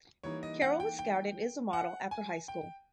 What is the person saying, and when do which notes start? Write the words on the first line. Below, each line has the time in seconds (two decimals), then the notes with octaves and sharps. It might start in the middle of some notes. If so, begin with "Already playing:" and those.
Carroll was scouted as a model after high school.
0.23 E3 G3 A#3 D#4 C#5
0.43 D#5
0.62 F#5
0.80 G5
0.99 G5
1.73 F#5
2.11 G#5
2.48 G5